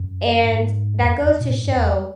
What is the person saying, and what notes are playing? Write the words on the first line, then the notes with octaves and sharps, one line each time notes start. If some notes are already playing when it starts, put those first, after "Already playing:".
and that goes to show,
Already playing: F#2
G#2
E2
F#2
E2
F#2
B2
A2
G#2
F#2
E2